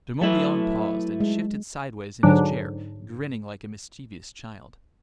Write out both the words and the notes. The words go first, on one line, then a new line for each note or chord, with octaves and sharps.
De Morbihan paused and shifted sideways in his chair, grinning like a mischievous child.
F#3 A3 E4 B4
G#3
G#2 D3 F#3 D4